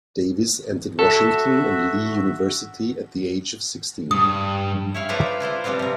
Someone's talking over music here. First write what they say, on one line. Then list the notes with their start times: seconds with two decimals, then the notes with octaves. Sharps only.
Davis entered Washington and Lee University at the age of sixteen.
0.99 F#4 A4 E5
4.11 G2 D#6
4.94 E4 C#5 F5
5.09 D4 D#4 F4 B4 C5 E5
5.21 D5
5.40 D4 E4 F4 C5
5.64 F3 G3 B3 C4 F4
5.79 C3 A#4